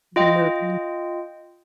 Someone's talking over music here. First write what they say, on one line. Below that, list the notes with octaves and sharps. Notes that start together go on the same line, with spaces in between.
You're moving.
F4 D#5 G5